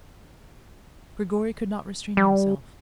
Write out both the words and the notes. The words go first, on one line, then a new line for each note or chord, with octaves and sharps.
Grigory could not restrain himself.
G3